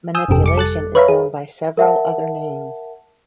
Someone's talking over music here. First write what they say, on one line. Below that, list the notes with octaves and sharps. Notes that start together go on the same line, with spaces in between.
Manipulation is known by several other names.
G#5 D#6 E6 G6
G1 F2 C3 G4 A4
G3 D6 C#7
A4 F#6 A6
B4 C#5 E5 F5 A#5 B5
G#4
A#4 E5 F#5 A5